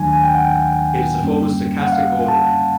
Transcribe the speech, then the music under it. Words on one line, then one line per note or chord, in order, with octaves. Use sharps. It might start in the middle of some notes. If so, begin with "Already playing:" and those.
It is a form of stochastic ordering.
Already playing: D#2 D#3 F#3 A3 D4 G#5
G#5
G5
F#5
G5
F#2 D3 G3 A#3 C#4
F#5
F5
A5